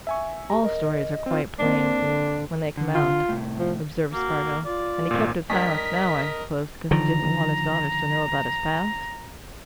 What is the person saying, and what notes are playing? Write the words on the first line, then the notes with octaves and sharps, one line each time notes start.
"All stories are quite plain--when they come out," observed Spargo. "And he kept silence now, I suppose, because he didn't want his daughters to know about his past?"
E5 G#5 C#6
G4 A#5
A#4 D#5
C4 F4
A#3 C4 D4
D3
D3
F4
A2 C3
F3
A#3 F#4
F4 D5
G#1 A#2
G2 A#4 D#5 B6
D3 D#3 F3 A#5